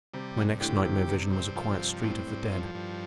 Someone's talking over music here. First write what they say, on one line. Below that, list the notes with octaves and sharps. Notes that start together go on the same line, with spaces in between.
My next nightmare vision was a quiet street of the dead.
C3 G3
G2
A2 D3 G4
C3 G4
G2 C3
C4
F3
G2
A2 C4
G2
F3
G2